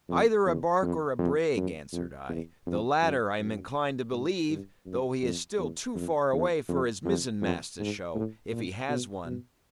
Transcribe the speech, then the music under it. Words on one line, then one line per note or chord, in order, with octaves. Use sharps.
"Either a barque or a brig," answered I; "the latter I am inclined to believe, though he is still too far away for his mizzen-mast to show, if he has one."
F2
E2
F2
F2
F#2
F2
E2
F2
F#2
F#2
G#2
G2
F#2
F2
E2
F2
E2
F2
F2
F2
G#2
A2
A#2
B2
B2